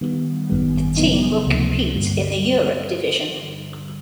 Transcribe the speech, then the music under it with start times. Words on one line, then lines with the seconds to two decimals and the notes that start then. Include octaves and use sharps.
The team will compete in the Europe division.
0.01 D#3 G3 B3
0.50 G#1 F#2 D#3 G3 B3
0.97 C#3 F#3 B3 D#4
1.46 C#2 C3 F3 A#3
1.94 G2 D3 G3